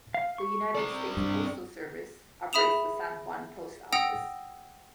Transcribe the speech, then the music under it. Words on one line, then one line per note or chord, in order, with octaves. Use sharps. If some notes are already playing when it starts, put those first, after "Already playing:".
The United States Postal Service operates the San Juan Post Office.
F5
C#6
C4 D5
G2
G#4 E5 B5 D#6 E7 F7
F#5 G5 D#6 E6 A#6 F7